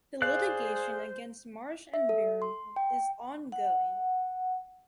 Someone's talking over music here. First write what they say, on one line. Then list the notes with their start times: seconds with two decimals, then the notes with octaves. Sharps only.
The litigation against Marsh and Byrne is ongoing.
0.22 G#4 C5 D5 F5 F#6
1.94 E5
2.09 A4
2.42 C6
2.76 G5
3.52 F#5